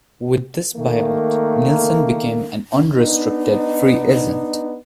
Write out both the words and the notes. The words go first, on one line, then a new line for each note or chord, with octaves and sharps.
With this buyout, Nilsson became an unrestricted free agent.
D#3 A3 A#3
B3 D4 D#4